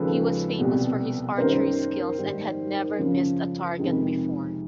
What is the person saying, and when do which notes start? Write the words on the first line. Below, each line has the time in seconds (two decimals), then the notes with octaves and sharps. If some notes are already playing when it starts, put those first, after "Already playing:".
He was famous for his archery skills and had never missed a target before.
Already playing: D#2 C#3 F3 G#3 A4 B4
0.58 C2 B2 G3
1.38 F#2 D#3 G3 A#4 C5
2.18 G#2 D#3 G3
2.99 F#2 C#3 F3
3.79 F2 C3 D#3 G#3